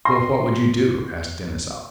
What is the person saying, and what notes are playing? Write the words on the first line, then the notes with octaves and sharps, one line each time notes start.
"Well, what would you do?" asked Denisov.
C6 A#6